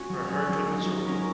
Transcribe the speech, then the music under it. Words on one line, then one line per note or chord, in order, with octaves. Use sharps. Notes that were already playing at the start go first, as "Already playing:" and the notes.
for her enjoyment, so,
Already playing: C#4 F#4
F#3
C#4 G#4
F#3
A#3 D#4 F#4
F#3
C#4 F#4 A#4